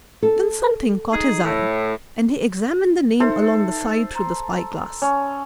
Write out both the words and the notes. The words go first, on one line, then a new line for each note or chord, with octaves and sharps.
Then something caught his eye and he examined the name along the side through the spyglass.
A4
D#4 G#4
A2
D#4 A4 C5 E5
A#5 C6
C#4